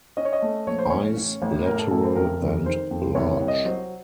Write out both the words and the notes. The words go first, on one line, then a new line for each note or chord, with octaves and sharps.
Eyes lateral and large.
C#4 D#5
C#5
D#5
A3
A#1 C#5
C5
C#4 C#5
A1
A1
A2 A#4
A4
A1 A4
C5
F2 A#4
F1
D#3 C5
F2
C2 C#5
C#5
C2
D#5
F#3 C5